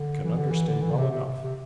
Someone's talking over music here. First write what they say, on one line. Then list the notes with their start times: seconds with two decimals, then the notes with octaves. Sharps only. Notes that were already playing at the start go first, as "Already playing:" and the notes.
I can understand well enough.
Already playing: D3
0.24 E3
0.37 D3
0.50 E3
0.68 D3
0.82 E3
0.91 D3
0.96 C3
1.11 C3
1.26 C3
1.43 C3